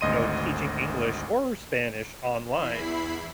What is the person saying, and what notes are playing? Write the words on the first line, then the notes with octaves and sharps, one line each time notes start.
you know, teaching English or Spanish online.
G#1 D2 D#5 C6 D#7
E2 E4 B5 C7